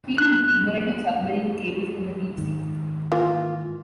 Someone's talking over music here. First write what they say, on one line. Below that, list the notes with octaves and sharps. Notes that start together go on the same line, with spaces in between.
Field was ignorant of submarine cables and the deep sea.
F#6
G#2 D#3
E3 A#3 F4